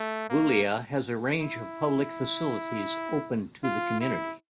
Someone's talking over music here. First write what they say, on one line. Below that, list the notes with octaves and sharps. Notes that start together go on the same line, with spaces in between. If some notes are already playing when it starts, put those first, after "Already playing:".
Boulia has a range of public facilities open to the community.
Already playing: A3
A#3
E4
F4
E4